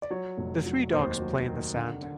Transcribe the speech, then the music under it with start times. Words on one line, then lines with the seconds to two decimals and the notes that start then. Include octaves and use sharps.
The three dogs play in the sand.
0.02 D5
0.10 F#3 C#5
0.38 F1
0.66 F#3
0.93 D#2 C5
1.21 F#3
1.48 D#3
1.75 D3
2.02 D3